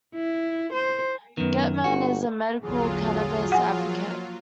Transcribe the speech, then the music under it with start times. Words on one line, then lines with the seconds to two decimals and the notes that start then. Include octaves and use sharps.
Gettman is a medical cannabis advocate.
0.14 E4
0.73 C5
1.37 F#2 D#3 B3
1.84 G1 F#4
2.61 A#1 E2 D3 F#3 F4 G#4
3.52 F3 A#3 F#5 G#5